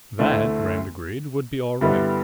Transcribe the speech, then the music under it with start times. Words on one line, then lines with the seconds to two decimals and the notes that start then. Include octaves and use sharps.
That, Rand agreed, would be all right.
0.19 D2 D3 A3 E4
1.81 G2 D3 G3 B3 E4